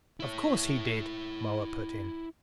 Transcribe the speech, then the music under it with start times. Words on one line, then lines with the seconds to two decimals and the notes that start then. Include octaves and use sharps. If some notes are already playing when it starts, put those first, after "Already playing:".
"Of course he did," Moa put in.
0.20 E4 C#5